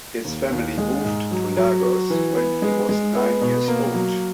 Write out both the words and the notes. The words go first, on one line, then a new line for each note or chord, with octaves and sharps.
His family moved to Lagos when he was nine years old.
D#2
D#2
G#3
G#2
F#3
F#3
F#4
E3
B3
G#3
G#3
B3
B2
A#3
F#3